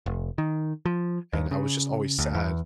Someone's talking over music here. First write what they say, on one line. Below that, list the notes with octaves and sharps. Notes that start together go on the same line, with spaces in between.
and I was just always sad,
F1
D#3
F3
D#2
C#3
D2
E2